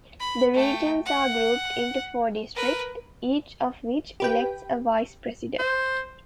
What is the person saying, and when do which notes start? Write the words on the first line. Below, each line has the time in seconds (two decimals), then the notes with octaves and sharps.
The regions are grouped into four districts, each of which elects a vice-president.
0.20 B5
0.54 A3 G5
1.05 F#5
2.56 A#4 B4
4.20 G4 B4 G5
5.59 C5